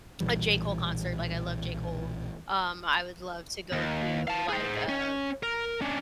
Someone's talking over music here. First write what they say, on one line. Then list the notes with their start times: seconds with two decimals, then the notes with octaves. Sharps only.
a J. Cole concert, like, I love J. Cole, um, I would love to go to like a
0.21 B1 A#2 E3 G3
3.73 D#2
4.28 F5 A5
4.49 G#4 C5
4.89 C#4
5.43 A#4
5.81 C#4 D4